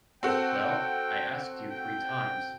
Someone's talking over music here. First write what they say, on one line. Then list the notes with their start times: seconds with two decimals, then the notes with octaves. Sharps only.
Well, I asked you three times.
0.23 C4 F#4 A4 G5
1.70 G5